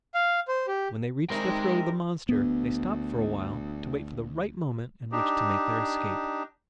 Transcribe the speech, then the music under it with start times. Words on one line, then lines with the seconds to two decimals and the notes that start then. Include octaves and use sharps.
When they reached the throat of the monster, they stopped for a while to wait for the right moment in which to make their escape.
0.14 F5
0.48 C5
0.67 G4
1.30 C3 D#3 G3 G#3 C4 D#4 A#4 C6
2.29 D2 B3
5.12 D4 D#4 G4